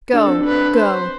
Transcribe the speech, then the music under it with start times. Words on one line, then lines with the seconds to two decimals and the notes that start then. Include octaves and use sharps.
Go! go!
0.13 D4 A4
0.27 C4
0.41 D4 B4
0.77 C5